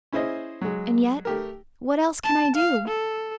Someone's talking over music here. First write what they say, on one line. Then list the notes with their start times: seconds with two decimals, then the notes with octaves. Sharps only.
And yet, what else can I do?
0.13 C#4 E4 G#4 C5 D#5
0.61 F#3 G#3
1.25 A3 G4 A#4
2.24 A5
2.56 F5
2.88 A4